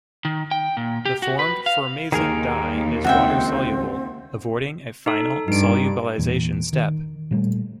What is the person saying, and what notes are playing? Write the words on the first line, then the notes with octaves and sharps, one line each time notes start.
The formed formazan dye is water-soluble, avoiding a final solubilization step.
D#3
G5
A#2
G4
F#4
B4
F5
D#2 D#3 G#4 A#4
C#2 C4 F#4 E5 G5
D#4 A4
G2 D#4 D7
E2 A#2
D#3
A#2 G3 A3